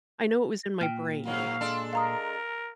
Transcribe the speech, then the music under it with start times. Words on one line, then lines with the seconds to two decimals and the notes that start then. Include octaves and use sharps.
I know it was in my brain.
0.81 A#2 G5 F6
1.25 G#2 F#3 A#3 F5
1.61 G#3 D4 A4
1.93 A#4 F5 A#5 D#6